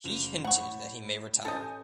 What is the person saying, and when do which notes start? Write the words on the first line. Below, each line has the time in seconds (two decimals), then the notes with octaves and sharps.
He hinted that he may retire.
0.04 F#1 F3 F7
0.44 A2 F#5 B5 C#6
1.45 A1 A4 D#5 G#5 G6